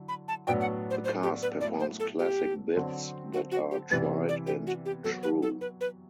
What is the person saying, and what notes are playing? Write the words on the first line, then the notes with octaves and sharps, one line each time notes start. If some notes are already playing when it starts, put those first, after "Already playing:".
The cast performs classic bits that are tried and true.
Already playing: D3 F#3 E4
B5
A5
A2 F#3 B3 D4 F#4 G5
F#5
C5
C5
G4
B4
F#3 A3 E4 D5
C5
A4
G4
D3 F#3 C4
F#4
F#4
G4
C3 E3 G3 B3 B4
D5
G4
F#4
G4
F#3 B3 F#4 A4
B4
A4
B4
B4